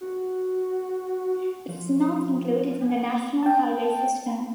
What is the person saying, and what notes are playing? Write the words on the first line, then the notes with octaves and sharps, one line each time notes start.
It is not included in the National Highway System.
F#4
F3
G5 A5